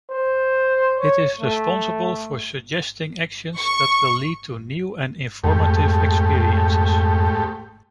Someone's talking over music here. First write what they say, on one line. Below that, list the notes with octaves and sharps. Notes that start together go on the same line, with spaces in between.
It is responsible for suggesting actions that will lead to new and informative experiences.
C5
C#5
A3
C#6
F2 G#2 A3 G4